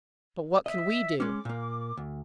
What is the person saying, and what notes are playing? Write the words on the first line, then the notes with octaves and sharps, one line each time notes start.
But what can we do?
D#5 E5
G#3 C#4 D6
A#2 A#3
D2